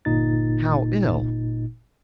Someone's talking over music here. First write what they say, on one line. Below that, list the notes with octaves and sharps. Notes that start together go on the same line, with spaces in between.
"How ill?"
G1 A#2 D#4 A6